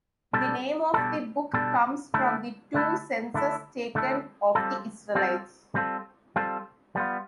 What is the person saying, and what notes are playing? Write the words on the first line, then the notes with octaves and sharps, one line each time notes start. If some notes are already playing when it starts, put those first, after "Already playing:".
The name of the book comes from the two censuses taken of the Israelites.
B2 G3 D4 A4
B2 G3 D4 A4
B2 G3 D4 A4
D3 A3 E4 A4
D3 A3 E4 A4
D3 A3 E4 A4
D3 A3 E4 A4
G3 C4 F4 A4
G3 C4 F4 A4
G3 C4 F4 A4
G3 C4 F4 A4
G3 B3 F4